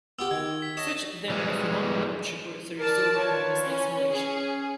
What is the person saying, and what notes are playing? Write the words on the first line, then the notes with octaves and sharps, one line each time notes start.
Such then are the phenomena which occur as the result of moist exhalation.
B3 F4 G4 E6
D#3 G#6
B6
C#5 D#5 A5 A#6 E7
E3 G3 G#3
A#4 D5 A5
F4 B4 C#5
C#4
C#4 G#4